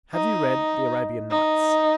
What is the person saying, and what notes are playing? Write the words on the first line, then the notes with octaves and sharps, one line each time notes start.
"Have you read the 'Arabian Nights'?"
D#4
D#4